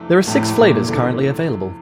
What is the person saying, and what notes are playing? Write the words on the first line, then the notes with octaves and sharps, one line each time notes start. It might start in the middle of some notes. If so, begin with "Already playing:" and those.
There are six flavors currently available.
Already playing: F2 C3 E3 A3 D4
F2 A2 C3 E3 A3 D4
A#2
D3